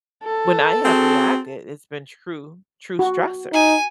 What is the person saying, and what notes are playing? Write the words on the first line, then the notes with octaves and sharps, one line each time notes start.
When I have reacted, it's been true true stressors
A4
C4 F#4 G#4
F#4
D#4 G#5